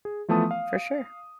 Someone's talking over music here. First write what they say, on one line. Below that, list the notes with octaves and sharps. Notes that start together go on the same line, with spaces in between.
For sure.
G#4
E3 F3 A3 B3 A5 D#6
F5